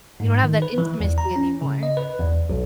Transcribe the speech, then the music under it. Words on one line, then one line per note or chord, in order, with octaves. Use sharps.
You don't have that intimacy anymore.
G#2
D#3
B4
E3
E2
A#5
C#4
C#3
D#5
B4
E2
B1